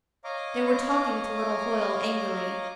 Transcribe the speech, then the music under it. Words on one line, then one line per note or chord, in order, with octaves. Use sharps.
They were talking to little Hoyle angrily.
C#5 D#5 F5 A#5 D6